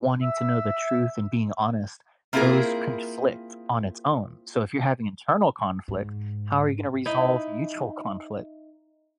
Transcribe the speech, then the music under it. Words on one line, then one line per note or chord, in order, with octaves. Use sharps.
wanting to know the truth and being honest, those conflict on its own. So, if you're having internal conflict, how are you gonna resolve mutual conflict?
E5
A#3 C4 E4 F4 G#4 A#4
G#2
D#4 E4